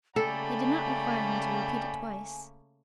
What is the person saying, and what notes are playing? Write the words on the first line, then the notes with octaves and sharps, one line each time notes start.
They did not require him to repeat it twice.
C#3 A3 A#3 A4 D5 G5 G#5 B5